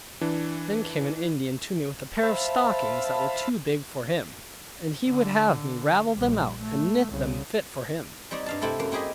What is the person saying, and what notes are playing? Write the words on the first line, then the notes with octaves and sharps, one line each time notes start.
Then came an Indian to me with a pair of stockings that were too big for him, and he would have me ravel them out, and knit them fit for him.
E3 D4
C5 E5 F5 A5 B5
D3
A#1 G3
A3
C2 C#3
G3 C4 D#4 C#5 D5
G2 F5 A5
C3 A3 C4 E4 A4
F#2 A#3
C4 E4 G4 G#4 D#5